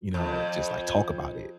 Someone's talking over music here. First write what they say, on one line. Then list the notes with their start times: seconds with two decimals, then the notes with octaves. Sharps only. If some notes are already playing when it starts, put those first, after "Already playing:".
you know, just, like, talk about it,
0.14 F2